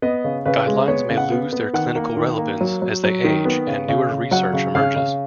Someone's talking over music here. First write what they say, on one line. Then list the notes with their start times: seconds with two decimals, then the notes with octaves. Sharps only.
Guidelines may lose their clinical relevance as they age and newer research emerges.
0.02 B3 D#5
0.24 C#3
0.46 C#3 B4
0.67 G#3
0.88 B3 C#5
1.09 C#3
1.17 F#5
1.32 B3
1.52 B3
1.73 D#3 F#5
1.96 A#3
2.17 D#3
2.38 A#3
2.61 F#3
2.82 F#3
3.04 F#3
3.24 D#3
3.45 B3
3.67 C#3
3.88 C#3
4.11 C#3
4.31 F#3 F#5
4.53 C#3
4.75 C#3 F5
4.96 C#3